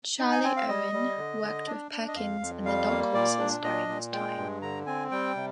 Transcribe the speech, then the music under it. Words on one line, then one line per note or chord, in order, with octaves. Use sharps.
Charlie Owen worked with Perkins and the Dark Horses during this time.
D#4
G#5
C4 G#5
F5
G3 D#5
G3
D3
D3
D4
D4
D#5
F2 F5
F2
G3 F5
A#3
A#2 D5
D4
A#2 D#5
A#2
G#3 G5
G2
D3 A#5
C4 G#5
G3 G5
C3